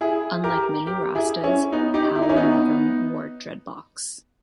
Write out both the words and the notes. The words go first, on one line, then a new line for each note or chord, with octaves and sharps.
Unlike many Rastas, Howell never wore dreadlocks.
E4 G#4
G4 A#4
G4 A#4
E4 G#4
C#4 E4
B3 D#4
D#4 G4
E4
D#4
C#4 E4
B3 D#4